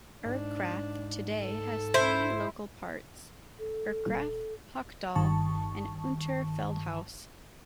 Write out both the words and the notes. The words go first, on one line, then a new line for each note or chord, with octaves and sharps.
Erkrath today has three local parts: Erkrath, Hochdahl and Unterfeldhaus.
G#2 D4
A4
E4 C5
A4
D#1
G1 G2 D#3 A5 C#6